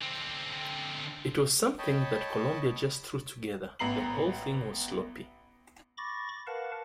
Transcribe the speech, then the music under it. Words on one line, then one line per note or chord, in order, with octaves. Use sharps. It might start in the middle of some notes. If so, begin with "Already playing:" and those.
It was something that Columbia just threw together...The whole thing was sloppy.
D3 C4
C#5 D#5 G5 A5 B5
A1 B3 A#5 C7 F#7
B5 C#6 D6 A6 A#6
A#4 B4 F5 F#5 A5